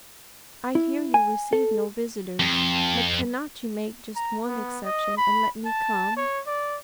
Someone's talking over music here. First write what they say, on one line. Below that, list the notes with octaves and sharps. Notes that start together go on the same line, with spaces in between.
I hear you receive no visitors; but cannot you make just one exception, and let me come?
E4
G#5
A4
F2
A#5
B3
D#5
B5
A5
C#5
D5